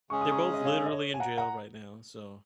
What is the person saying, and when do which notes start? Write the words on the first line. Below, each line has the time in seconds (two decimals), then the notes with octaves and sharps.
they're both literally in jail right now, so,
0.10 C#3 G#3 C#4 G#4 C#6
0.21 D#6
0.31 A#5 C#6
0.54 D#5
0.65 C#5 F5
0.86 D#5
0.92 C#5
1.14 G#5
1.20 F#5 A#5
1.38 F#5 A#5